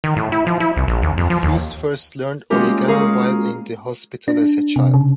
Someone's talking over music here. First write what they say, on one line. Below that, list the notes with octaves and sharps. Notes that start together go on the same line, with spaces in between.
Fuse first learned origami while in the hospital as a child.
D#3
A2
E4
F3
E4
C2
A#1
D#2
F2
F3
D#2
G#3 A#3 C#4 F4 G4 A#4
G#4 A#4 F5 C#6
D4
C3
C#3